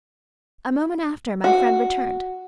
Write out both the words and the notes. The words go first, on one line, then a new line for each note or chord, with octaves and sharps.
A moment after my friend returned.
F#4